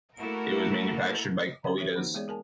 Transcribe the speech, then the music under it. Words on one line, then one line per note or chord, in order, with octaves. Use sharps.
It was manufactured by Qualitas.
A3 A#3 E4 F#4 A4 A#4
D3 C4 C#4 G4 E5
F#4 G4 A#4 C#5 E5
E3 A#3 D#4
G#3 B3 G#4 C#5 D5
G#4 A#4 G#5 A5